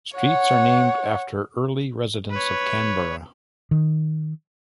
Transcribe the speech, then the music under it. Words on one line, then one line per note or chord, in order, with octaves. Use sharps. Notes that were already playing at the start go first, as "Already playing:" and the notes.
Streets are named after early residents of Canberra.
C#5 F#5
B4 C#5
D#3